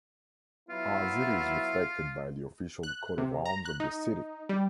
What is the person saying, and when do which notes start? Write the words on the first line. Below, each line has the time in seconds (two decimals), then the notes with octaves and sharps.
As it is reflected by the official coat of arms of the city.
0.69 F#3 B3 E4 F4
2.83 F#6
3.18 C3
3.46 A#5
3.65 F#6
3.80 D#4
4.49 G3